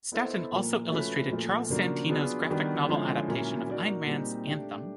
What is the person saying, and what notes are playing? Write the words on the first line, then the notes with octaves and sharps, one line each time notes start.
Staton also illustrated Charles Santino's graphic novel adaptation of Ayn Rand's "Anthem".
B3 E4 A4 C5 D#5
A#2 F3 A#3
F3 A3 C#4 F#4 B4
A#2 F3 A3
C#3 F3 A#3 D4 F#4
F#3 B3 D4 F4 G#4
D#3 G3 B3 D4 F#4
D3 F3 G#3 C#4 E4
A#2 F#3 A#3 C#4 E4
A#3 D#4 F#4 A#4 D5
A#2 G3 C4 D#4
A3 D4 G4